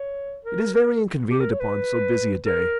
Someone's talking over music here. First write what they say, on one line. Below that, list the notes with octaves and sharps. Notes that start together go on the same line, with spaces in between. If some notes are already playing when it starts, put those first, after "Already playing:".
"It is very inconvenient upon so busy a day."
Already playing: C#5
A#4
A#4
G4
A#4
C#5
B4
A#4